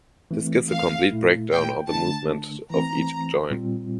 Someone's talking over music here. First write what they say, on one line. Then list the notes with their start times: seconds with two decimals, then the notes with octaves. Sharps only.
This gives a complete breakdown of the movement of each joint.
0.31 E3 A3 C4
0.71 F5
1.11 A#2 A3 E4
1.51 G5
1.90 D3 A3 D4 A5
2.70 E3 A3 C4 A#5
3.50 A#2 G3 C4 F4